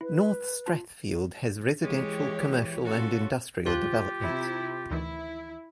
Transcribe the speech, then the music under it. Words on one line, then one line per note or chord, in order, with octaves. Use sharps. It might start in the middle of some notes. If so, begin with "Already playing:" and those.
North Strathfield has residential, commercial and industrial developments.
E4 B4
F4 A5
E3 G#3 G4 C#5
C#4 F4 F#4 A4
D2 F3 F4 G4 F#6
C3 E4
D2 D#3 E3 E4